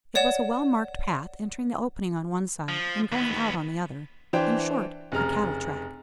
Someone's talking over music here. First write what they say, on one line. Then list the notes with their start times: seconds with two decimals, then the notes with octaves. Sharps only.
It was a well-marked path entering the opening on one side, and going out on the other: in short, a cattle-track.
0.15 C#5 D5 F#5 E7
2.68 F3
3.12 D#2 B3
4.33 E3 D4 C5 G5
5.12 F1 C#3 A#5 F6